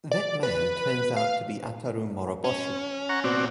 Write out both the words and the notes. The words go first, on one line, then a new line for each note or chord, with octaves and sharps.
That man turns out to be Ataru Moroboshi.
D5
B4
F5
C#4
F#5 A#5 C#6
A#2 B3 C4 F#4 D5